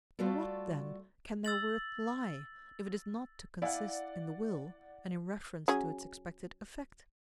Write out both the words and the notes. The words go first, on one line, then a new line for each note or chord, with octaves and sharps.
In what, then, can their worth lie, if it is not to consist in the will and in reference to its expected effect?
G3 A3 F4 F#4 A4 D5
E6 A6 F#7
E4 D5 F5 F#5 G#5
F#3 C#4 G#4